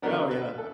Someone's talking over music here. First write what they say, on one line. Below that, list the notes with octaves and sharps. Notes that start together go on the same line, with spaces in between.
Oh, yeah,
D3 F#3 B3 D4 A#4
B4
A4